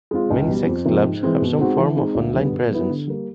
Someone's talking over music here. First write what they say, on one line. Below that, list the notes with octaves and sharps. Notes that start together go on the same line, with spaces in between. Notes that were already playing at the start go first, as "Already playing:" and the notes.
Many sex clubs have some form of online presence.
G#3 C4 F4
C#2
B2 G3
F2
C3 F3 A#3
G#2
E3 G#3 C4
B2
G#3 C4 D#4 F#4
E3
G#3 C4 D#4
D2
D3 G3 B3
B2
G3 B3 E4
D3
G3 A#3